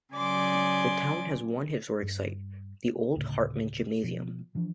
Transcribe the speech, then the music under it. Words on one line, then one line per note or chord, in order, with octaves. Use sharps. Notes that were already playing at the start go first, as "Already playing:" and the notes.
The town has one historic site, the old Hartman Gymnasium.
C#3 F#3 D5 G#5 C6 D6
G2 G3
D2 A2 C#3
B2 F3
E3 F3 D4